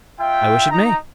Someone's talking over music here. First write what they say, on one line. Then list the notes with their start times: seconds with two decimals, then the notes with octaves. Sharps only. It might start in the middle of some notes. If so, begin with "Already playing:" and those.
"I wish it may."
0.19 F4 E5 G5
0.71 D#4 A#5